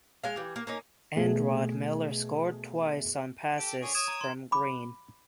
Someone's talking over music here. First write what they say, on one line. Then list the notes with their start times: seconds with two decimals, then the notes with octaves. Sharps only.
End Rod Miller scored twice on passes from Green.
0.24 G#3 F5
0.36 E3 G3
0.56 A#3
0.67 A#3 C#4 D#4
1.16 B2 A3 G#4
3.58 G4 A4 D7
3.82 D3 G#4 C#5
3.95 C#5 D#6 G#6 E7
4.08 A#5
4.21 C6 G#6
4.52 B5 D6